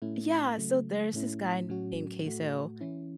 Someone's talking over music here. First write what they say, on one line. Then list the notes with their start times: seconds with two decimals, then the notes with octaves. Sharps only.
Yeah, so there's this guy named CaseOh
0.02 A2 A3 C#4 E4
0.58 C#3 F#3 A3
1.13 A2 A3 C#4 E4
1.69 A2 F#3 C#4 F#4
2.24 A2 A3 F#4
2.81 E3 C#4 E4